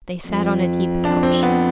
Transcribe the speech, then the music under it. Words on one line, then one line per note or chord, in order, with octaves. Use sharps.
They sat on a deep couch.
F2
D4
C4
B3